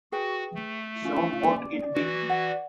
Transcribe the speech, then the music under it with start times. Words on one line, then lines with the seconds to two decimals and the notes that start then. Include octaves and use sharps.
So mote it be.
0.12 F#4 G#4 B4 G5
0.54 A3
1.04 C#4 F4
1.49 D5
1.94 E3 F#4
2.30 F#5